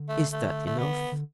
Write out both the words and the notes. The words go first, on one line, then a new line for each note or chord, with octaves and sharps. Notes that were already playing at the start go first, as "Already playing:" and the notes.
"Is that enough?"
Already playing: D3
A3
A3
A3
B3
D3